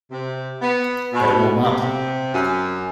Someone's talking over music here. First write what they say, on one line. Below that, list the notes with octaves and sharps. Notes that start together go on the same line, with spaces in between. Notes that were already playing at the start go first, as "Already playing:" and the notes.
Better warm up.
C3
B3
B2
C3
F#2